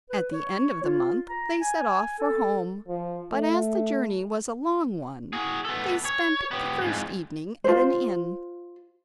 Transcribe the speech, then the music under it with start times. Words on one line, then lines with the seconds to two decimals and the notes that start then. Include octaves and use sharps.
At the end of the month they set off for home, but as the journey was a long one they spent the first evening at an inn.
0.10 B4
0.32 C#5
0.84 F4
1.29 A#5
1.61 G#5
2.19 A4
2.88 F3
3.32 A3
5.33 F#4 G#4
5.65 B3 A4
6.05 C#5
6.51 B3 G4
6.81 F2 G#2
7.64 F4 C5